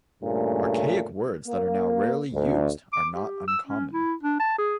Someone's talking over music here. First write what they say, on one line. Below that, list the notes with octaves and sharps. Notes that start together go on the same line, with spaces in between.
Archaic words that are now rarely used are not uncommon.
G2 A#2 C#3 A3
A#3
D2
D6
G4
E6
C#4
E4
D4
A5
G#4